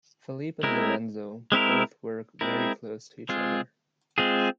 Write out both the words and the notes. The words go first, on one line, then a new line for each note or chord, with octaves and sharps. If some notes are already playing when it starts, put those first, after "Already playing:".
Felipe and Lorenzo, both were very close to each other.
G#3 C4 E4 A#4
G#3 C4 E4 A#4
G#3 C4 E4 A#4
G#3 C4 F4 G#4
G#3 C4 F4 G#4